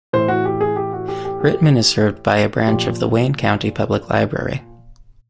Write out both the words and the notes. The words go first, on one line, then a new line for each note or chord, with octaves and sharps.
Rittman is served by a branch of the Wayne County Public Library.
A2 E3 C5
F#4
G4
G#4
G4
F#4
G4
G4
G4
A#2 F3 G4